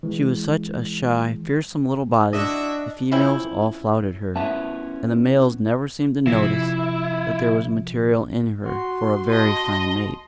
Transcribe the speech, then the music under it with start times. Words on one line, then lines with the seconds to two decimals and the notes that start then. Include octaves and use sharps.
She was such a shy, fearsome little body, the females all flouted her; and the males never seemed to notice that there was material in her for a very fine mate.
0.03 E3 G#3
2.33 D4 E4 F#4 D#5 E5
3.12 F3 C4 C#4 E4
4.36 B3 C#4 E4 E5 A5
6.27 C3 F3 E4
8.66 F#4 C6
9.31 D#5 A5